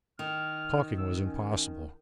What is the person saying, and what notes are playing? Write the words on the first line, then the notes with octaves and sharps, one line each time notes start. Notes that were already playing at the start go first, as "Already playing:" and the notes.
Talking was impossible.
D#3 F6
E6
C#4